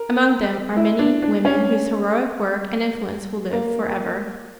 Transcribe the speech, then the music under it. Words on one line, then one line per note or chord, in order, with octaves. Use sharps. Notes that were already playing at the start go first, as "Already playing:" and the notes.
Among them are many women whose heroic work and influence will live forever.
Already playing: A#4
E4
D4
D4
C#4
A#3